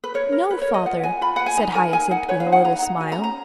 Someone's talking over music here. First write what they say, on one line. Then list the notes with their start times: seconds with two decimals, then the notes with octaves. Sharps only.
"No, Father," said Hyacinth, with a little smile.
0.04 B4
0.14 A#4 C#5
0.32 A#4
0.50 A#4 B4
0.62 C#5
0.68 A#4
0.74 D#5
0.86 F4 F#5
1.03 B4 G#5
1.21 F4 B5
1.36 B4 F#5
1.46 G#5
1.57 D#4 A#5
1.75 A#4 G#5
1.92 D#4 G#5
2.11 D#4 F#5
2.28 B4 C#5
2.40 F5
2.46 D#4
2.52 F#5
2.64 B4 A#5
2.82 D#4 A#5
3.00 F#4 G#5
3.12 A#5
3.18 C#4
3.24 A#5